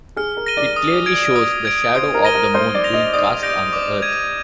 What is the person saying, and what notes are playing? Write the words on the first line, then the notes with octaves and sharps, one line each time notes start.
It clearly shows the shadow of the Moon being cast on the Earth.
G#4 F6
A#4
A#6 D#7 G7
D5
D#6
G#6 D7
D#6
G#6 D7
C5 D#6
A#4
A#6 D#7 G7
A#4
C5 F6
D5
A#6 F7
D#5
D5 D#6
G6 A#6 D7
D6
G#6 D#7